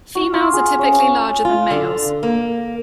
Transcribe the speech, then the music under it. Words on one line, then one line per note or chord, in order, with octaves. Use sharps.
Females are typically larger than males.
F#4
F4
G#4
C#4
F4
D3
A#3